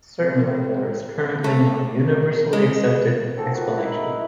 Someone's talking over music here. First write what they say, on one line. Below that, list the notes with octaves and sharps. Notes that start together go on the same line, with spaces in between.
Certainly there is currently no universally-accepted explanation.
C3 C4
A3
G#3
D#3 F#3 A#3 C4 G#4 A4
F2 F#4 B4
D#4 E4 G#4